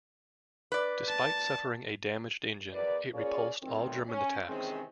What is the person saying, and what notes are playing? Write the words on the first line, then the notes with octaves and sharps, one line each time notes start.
Despite suffering a damaged engine, it repulsed all German attacks.
B4 D5
A5
E2 A#4 B4 D5
A#3 C#4 F4 G#4 C#5 D5
E2 A2 D#3 F#3 C4
C#4
C3 D#3 E3 G#3 C4 C#4